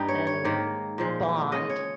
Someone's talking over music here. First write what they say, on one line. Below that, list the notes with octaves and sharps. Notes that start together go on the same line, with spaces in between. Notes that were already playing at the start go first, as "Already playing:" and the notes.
and bond.
Already playing: G2 G3 A#3 D#4
C#5
C#5
G#2 D#3 A#3
A#2 F3 G#3
C#3 G#3 C#4 D#5
C#5